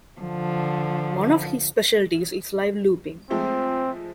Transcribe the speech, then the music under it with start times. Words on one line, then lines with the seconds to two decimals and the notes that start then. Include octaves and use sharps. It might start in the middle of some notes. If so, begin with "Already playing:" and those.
One of his specialities is live looping.
0.21 D3 F3
3.30 F3 G#3 A3 C4